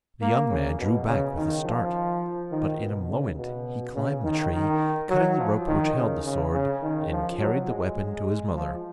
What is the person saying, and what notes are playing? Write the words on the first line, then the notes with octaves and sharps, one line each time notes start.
The young man drew back with a start; but in a moment he climbed the tree, cutting the rope which held the sword, and carried the weapon to his mother.
A#3
C#3
B2
C#3
D#3
F3
D#3
B2
C#3
B2
C#3
D#3
D#3
F#3
F3
D#3
C#3
C#3
C#3
D#3
F3
F#3
G#3
G#3
F3